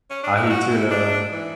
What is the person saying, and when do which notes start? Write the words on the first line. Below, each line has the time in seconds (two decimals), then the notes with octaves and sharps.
ahi tuna,
0.10 C#4
0.23 D4
0.36 E4
0.50 F#4
0.70 E4
0.91 D4
1.31 E3